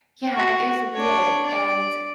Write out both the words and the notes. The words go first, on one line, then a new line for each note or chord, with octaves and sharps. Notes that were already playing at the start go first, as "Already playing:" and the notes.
Yeah, it is weird. And
F#4
D4 C#5
D5